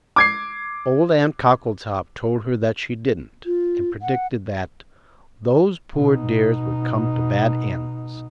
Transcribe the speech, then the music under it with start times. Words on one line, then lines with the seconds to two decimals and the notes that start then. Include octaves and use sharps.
Old Aunt Cockletop told her that she didn't, and predicted that 'those poor dears would come to bad ends.'
0.16 D6 G#6 C7
3.46 F4
4.02 F#5
5.95 B2 D#4